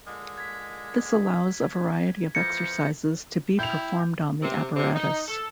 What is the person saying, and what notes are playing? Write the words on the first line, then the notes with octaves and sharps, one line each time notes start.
This allows a variety of exercises to be performed on the apparatus.
A#2 D3 G#3
G#6 B6
F2 E3 F3 G6 G#6 A#6 C#7
E4 G5 G6 F7
C3
C3
D#4
A4